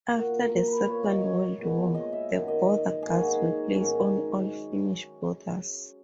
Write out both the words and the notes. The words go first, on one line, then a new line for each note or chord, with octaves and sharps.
After the Second World War, the Border Guards were placed on all Finnish borders.
A#2 A#3 F#4
A#4
B4
A#2 A#3 C#5
D#5
C#5
A#2 G#3 B3
D#5
E5
F#2 D#3 F#3
D#5
G#2 F#3 A#3 G#4
F#4
D#4
G#2 D#3 F#3 C#4